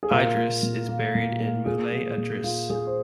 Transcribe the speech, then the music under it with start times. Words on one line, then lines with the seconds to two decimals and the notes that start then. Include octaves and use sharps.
Idris is buried in Moulay Idriss.
0.03 G#4
0.11 A#2 F4 A#4
0.36 A#3
0.63 A#2
0.88 A#3
1.15 A#2
1.40 A#3
1.66 A#2 G#4
1.92 A#3
2.18 A#2
2.44 A#3 F4
2.70 A#2 G#4
2.87 C5